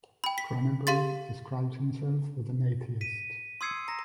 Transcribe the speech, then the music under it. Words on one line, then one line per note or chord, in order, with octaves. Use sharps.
Cronenberg describes himself as an atheist.
G5 B5
B6
G4 F5 C6 A6
B6 D#7
C6 D#6 E6 G#6 C7 C#7
A#5 A#6